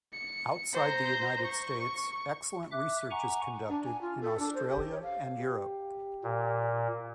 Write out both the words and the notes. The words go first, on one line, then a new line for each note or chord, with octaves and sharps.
Outside the United States, excellent research is conducted in Australia and Europe.
C#7
C5 A#5
C#6
E5 D6 F#6
F#5 G#5 A#5 C#6
D4
G#5
F4
A4
D4
C5
G4
C#5
F5
G4
A#2